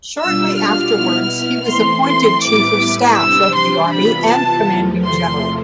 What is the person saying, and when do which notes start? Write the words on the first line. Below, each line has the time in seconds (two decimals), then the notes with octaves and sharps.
Shortly afterwards he was appointed Chief of Staff of the Army and Commanding General.
0.20 B2 G3 D4 F4 E6
0.57 F6
0.94 B2 B3 E4
1.69 E3 A3 C4 C6
2.06 C6
2.44 A2 G3 B3 E4 B4 D6
3.18 C3 G3 D4 G4 C5 E6
3.55 C6
3.93 C3 E3 B3 F4 B5
4.30 A5
4.68 E2 C3 F3 A3
5.04 C6